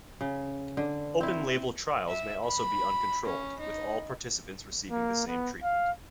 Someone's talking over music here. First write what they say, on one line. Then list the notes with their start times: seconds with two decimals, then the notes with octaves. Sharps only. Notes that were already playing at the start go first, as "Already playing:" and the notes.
Open-label trials may also be uncontrolled, with all participants receiving the same treatment.
0.21 C#3
0.77 D3
1.21 C4 E4
2.08 E5
2.44 B5
3.25 C#4
3.60 D#4
4.91 A#3
5.27 B3
5.63 F5